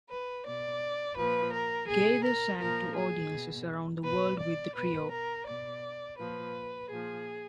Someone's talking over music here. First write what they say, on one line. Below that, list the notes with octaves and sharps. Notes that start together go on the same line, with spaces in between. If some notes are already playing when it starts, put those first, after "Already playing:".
Gaither sang to audiences around the world with the trio.
B4
B2 D5
A#2 F3 B4
A#4
B2 G#4
A#4
A#2 F3 A#4
G#4
B2
B2 B4
D5
B2 B4
A#4
B2 D5
A#2 F3 B4
A#2 F3 G#4